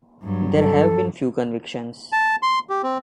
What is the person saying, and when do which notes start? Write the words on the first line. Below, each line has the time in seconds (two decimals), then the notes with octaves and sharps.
There have been few convictions.
0.23 G2 F#3
0.57 A4
2.12 A5
2.43 C6
2.70 G4
2.83 C4